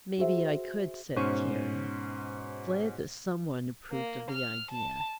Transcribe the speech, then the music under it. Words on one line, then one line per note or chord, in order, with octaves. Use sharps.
"Maybe I could," said Carrie, glad that some one approved of the idea.
F#4 G#4 C5 E5
G#2 B2 C#4 C5 C#6 D#7
A#3
F6
A5